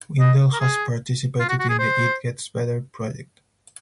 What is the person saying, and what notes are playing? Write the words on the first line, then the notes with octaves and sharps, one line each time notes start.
Windle has participated in the It Gets Better Project.
D#5
A#4
G#4
F4
F#4
F#4
G#4
C5